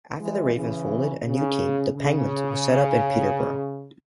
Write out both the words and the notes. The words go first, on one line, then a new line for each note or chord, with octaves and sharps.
After the Ravens folded, a new team, the Penguins, was set up in Peterborough.
E3 G#3
C#3 E3
C#3
C#3